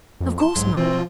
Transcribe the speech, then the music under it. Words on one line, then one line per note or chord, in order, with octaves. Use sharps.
Of course not!
F2
A5 C6
B1 G#2 F#3 C6
B2 E3 C4 F4
F3